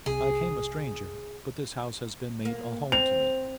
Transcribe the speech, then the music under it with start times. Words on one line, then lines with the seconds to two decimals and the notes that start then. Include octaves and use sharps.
"I came a stranger, but this house has been made a home to me."
0.06 C2 G#4
2.45 A#3
2.92 C4 F7